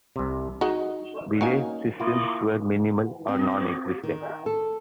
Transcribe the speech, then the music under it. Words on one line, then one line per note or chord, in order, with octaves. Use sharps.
Belay systems were minimal or non-existent.
C2 C3
D#4 F#4 G#4 D#5
A#3 C#4 D#4 F#4 F5 G#5
A#3 E4 F4
C4
D#3
A4